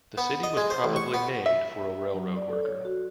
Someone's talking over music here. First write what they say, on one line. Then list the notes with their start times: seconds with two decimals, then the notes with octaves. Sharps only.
The city was probably named for a railroad worker.
0.18 B3
0.44 D#5
0.57 G#3
0.70 C5
0.84 A1
0.96 C#6
1.14 B3
1.46 E5
2.14 F#3
2.37 D5
2.49 A4
2.63 C#5
2.85 F#4